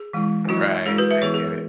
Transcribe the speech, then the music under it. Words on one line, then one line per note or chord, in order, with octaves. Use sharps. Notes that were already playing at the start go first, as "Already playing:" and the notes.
Right, I get it.
Already playing: G#4
E3 G#3 E4
F#3 C#4 E4 F#4
G#3 C#4 E4 G#4
F#4 B4
B4 E5
E3 B3 E4 G#4 C#5
G#4